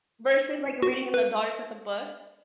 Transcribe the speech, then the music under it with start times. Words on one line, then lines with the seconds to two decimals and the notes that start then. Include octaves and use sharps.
Versus, like, reading in the dark with a book,
0.82 F#4
1.14 B4